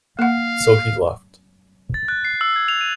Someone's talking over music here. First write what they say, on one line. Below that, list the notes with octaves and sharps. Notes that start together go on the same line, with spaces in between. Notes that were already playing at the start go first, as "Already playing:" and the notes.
So he left.
A#3 F5 F#5
A6
F#6
C7
E6
G#6
F7
D#7